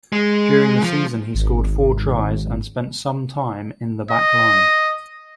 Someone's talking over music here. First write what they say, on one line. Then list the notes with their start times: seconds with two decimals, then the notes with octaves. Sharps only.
During the season he scored four tries and spent some time in the backline.
0.13 G#3
0.84 F3
1.34 G#1
4.10 D#5